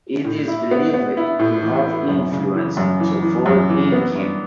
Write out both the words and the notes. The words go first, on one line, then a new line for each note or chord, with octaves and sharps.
It is believed to have influenced the Ford engine.
A2
E4
B3
B3
E4
A2
E3
E4
F#2
C#3
E3
F#2
E3
E3
F#2
E3
B3
G2